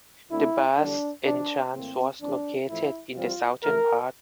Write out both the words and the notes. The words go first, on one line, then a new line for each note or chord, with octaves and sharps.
The baths entrance was located in the southern part.
D2 D3 A3 C4 E4
E2 D3 G3 D4
D2 C3 F3 C4 D4
A2 E3 A#3 C4
F2 E3 A3 C4 D4
A1 A2 F3 A3 E4
F2 E3 G3 C4 F4
F2 E3 A3 A#4